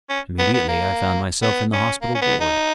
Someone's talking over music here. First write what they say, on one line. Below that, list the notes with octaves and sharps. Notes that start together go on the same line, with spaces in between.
Immediately I found myself in the hospital ward.
C#4
B3
B3
A#3
B3
C#4
A#3
C#4
B3
D#4